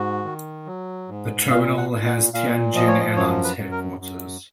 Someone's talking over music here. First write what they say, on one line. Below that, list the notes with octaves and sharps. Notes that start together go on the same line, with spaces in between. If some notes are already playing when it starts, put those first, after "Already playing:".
The terminal has Tianjin Airlines headquarters.
Already playing: G#2 F#4
D#3
F#3
G#2
A#2 F5
F#5
A#2
F#5
A#2 F5
F3 D#5
C#5
D#5
F#2 C#5
B4
F#2
A#4
F#2